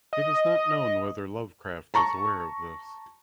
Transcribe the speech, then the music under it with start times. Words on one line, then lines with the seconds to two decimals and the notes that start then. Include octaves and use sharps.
It is not known whether Lovecraft was aware of this.
0.13 D#5
1.94 A5 A#5 C#6